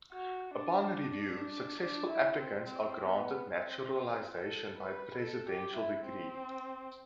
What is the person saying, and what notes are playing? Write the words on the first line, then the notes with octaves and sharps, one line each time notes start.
Upon review successful applicants are granted naturalization by presidential decree.
F#4
D4
D4
E4
C4
C4
B3
C4
A4
B4
A4
G4
E4
C4